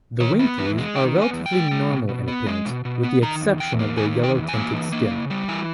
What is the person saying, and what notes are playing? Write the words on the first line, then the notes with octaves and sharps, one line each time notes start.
The Winkies are relatively normal in appearance with the exception of their yellow-tinted skin.
D#3 C#5
B3
E2 B4
G#3
D#3 G5
B3
G#5
E2
G5
G#3
G#3
B2
B2
B3
G#3
B2
B2
B3
D#3 A#5
E2
E2 G5
A#3
D#3 G#5
E2
G5
E2
G#5
A#3
E3
A#3
C#3
G3
E3 G#5